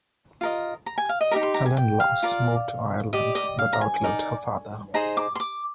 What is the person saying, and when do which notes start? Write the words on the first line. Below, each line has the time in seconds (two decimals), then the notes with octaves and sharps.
Helen Laws moved to Ireland but outlived her father.
0.41 F4 A#4 D#5
0.86 A#5
0.98 G#5
1.09 F5
1.21 D#5
1.31 D#4 G4 A#4 A#5
1.43 C6
1.54 A#5
1.66 G#5
1.77 G5
2.00 F5
2.23 F4 A#4 D5
3.13 G4 D5 D#5
3.35 D#5
3.59 F5
3.73 A#5
3.81 G#5
4.04 D#4 A#4 D5
4.94 D#4 G#4 C5 D#5 A#5
5.17 D6
5.35 C6
5.40 D6